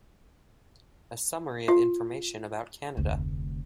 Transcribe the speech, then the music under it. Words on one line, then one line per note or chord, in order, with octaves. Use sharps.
A summary of information about Canada.
F4
F1 D2